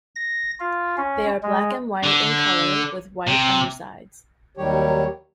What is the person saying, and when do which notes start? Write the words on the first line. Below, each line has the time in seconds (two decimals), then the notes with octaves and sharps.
They are black and white in colour, with white undersides.
0.16 A#6
0.60 F4
0.97 C#4
1.43 G#3
2.03 D3
3.28 C3
4.57 D#2 D#3 F#3 G3 G4 C#5